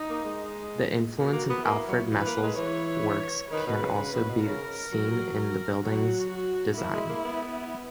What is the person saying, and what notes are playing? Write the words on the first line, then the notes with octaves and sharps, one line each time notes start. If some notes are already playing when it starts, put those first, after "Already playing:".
The influence of Alfred Messel's works can also be seen in the building's design.
Already playing: D#4
A#3
G#3
A#3 F#4
A#3
B3
A#3 E4
F#3
E3 B4
A#3
A#3
G#3
E3 C#5
D#3 B4
B2
C#3
C#3 B4
B2
B2
C#3 A#4
F#3
A#4
F#3 F#4
F#4
A#3 E4
G#3
A#3
B3